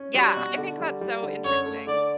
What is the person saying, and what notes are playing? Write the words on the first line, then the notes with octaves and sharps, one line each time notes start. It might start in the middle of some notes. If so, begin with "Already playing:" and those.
yeah, I think that's so interesting.
Already playing: C#4
G3 F#4
B2
D3
G3
G3
D3
F#2 C#5
A3
D3 D5